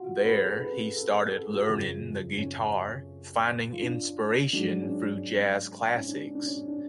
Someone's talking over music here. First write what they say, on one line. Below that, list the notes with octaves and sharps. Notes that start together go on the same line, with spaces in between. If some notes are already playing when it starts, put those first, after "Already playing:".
There, he started learning the guitar, finding inspiration through jazz classics.
Already playing: F4 F#4
B4
G#4
A4
B4
A4
A4
A4
G#4
F#4
G#4
F#2 C#3 F3
C#4
F4
D4
G#2 F#3 D4
C#4
D4
C#4
D4
C#4
D4
C#4
D4